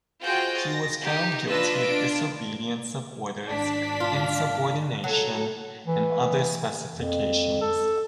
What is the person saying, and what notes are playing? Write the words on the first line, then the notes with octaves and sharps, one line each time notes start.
He was found guilty of disobedience of orders, insubordination, and other specifications.
F4 F#4 G#4 C5 D#5 G5
A6 A#6
D#4 G4
D4 F4 B4 D#5 E6 A#6
D4 F4 D7
G#1 D4 B6
F4
F#3 A4
E3
F2
A4